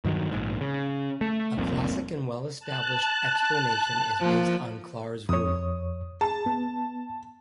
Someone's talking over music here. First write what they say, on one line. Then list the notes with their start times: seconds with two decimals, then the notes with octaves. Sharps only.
A classic and well established explanation is based on Clar's rule.
0.04 G2 D#3 F#3
0.31 A#1 G#2
0.61 C#3
1.21 A3
1.58 F1 C2 F2 A#2
2.59 A5 F#6
4.21 F3 A#3
5.29 F2 C#5 D#6
6.21 G#4 A5
6.46 B3